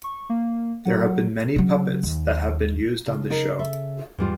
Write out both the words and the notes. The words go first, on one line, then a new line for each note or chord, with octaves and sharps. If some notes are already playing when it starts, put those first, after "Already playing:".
There have been many puppets that have been used on the show.
C#6
A#3
F#3 F#5
C#3 F#3
D#2
C#3 F4
D#4 A#4
A4 E5
E2 G#2 G3 F4